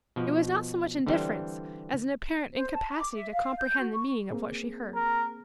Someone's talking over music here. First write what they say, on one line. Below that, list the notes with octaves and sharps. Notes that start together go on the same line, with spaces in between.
It was not so much indifference as an apparent incapacity to comprehend the meaning of what she heard.
B2 F3
D3 E3 G3 C4
C5
A5
D6
E5
F5
G6
F#4
C#6
A#3 C4 G#4
A#4